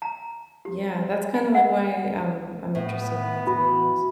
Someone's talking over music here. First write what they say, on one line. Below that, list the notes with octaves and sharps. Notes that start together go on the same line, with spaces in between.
Yeah that's kinda, like, why I'm I'm interested in that, to be honest.
A#5
G4
G#5
F#5
A2 B3
F#4 B5